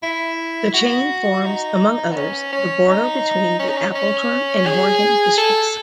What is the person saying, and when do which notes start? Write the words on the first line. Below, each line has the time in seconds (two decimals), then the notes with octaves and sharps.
The chain forms, among others, the border between the Affoltern and Horgen districts.
0.03 E4
0.74 F#4
1.45 D#4
2.11 B3
2.16 C#4
2.53 C#4
2.88 D#4
3.59 C#4
3.69 D#4
3.77 C#4
3.95 C#4
4.67 G#4
5.38 A4